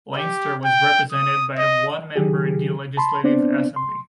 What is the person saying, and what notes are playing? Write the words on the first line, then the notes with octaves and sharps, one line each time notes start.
Leinster was represented by one member in the Legislative Assembly.
G4
G5
D#6
D#5
D#3 F#3 G4 G#4
A5 B5 C6
B3 C4 D4 C5 D5
C6